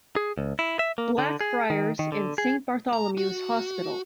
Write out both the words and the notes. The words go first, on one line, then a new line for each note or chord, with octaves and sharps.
Blackfriars and Saint Bartholomew's Hospital.
G#4
C#2
E4
E5
A#3
D3
G#4
D#3
D#3
D3
G#4
A#5
F#4